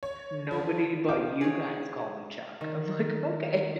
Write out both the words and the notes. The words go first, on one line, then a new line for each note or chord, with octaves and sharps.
nobody but you guys call me Chuck." I'm, like," Okay."
C#5
F3
F5 G5 D6
G#4 C#5
D#3